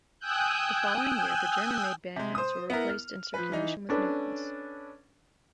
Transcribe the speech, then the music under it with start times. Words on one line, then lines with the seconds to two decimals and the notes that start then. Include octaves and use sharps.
The following year the German-made banknotes were replaced in circulation with new ones.
0.19 G5 G#5 D#6 E6 F#6 G6
2.16 C3 G#3
2.35 C5 D#6
2.70 B3 E4 A#4
2.90 F6
3.34 F3 B4
3.52 E3 D#4
3.89 C#4 D4 A4 B4